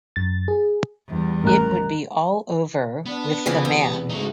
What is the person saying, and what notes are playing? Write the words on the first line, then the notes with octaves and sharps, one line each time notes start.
It would be all over with the man.
F#2 A6
G#4
E2 G3
A1 A#4 A#5 F#6
B3 D4
F2 C#3 E3
E2 C3
G#2 C#3 A3 D#4 F#4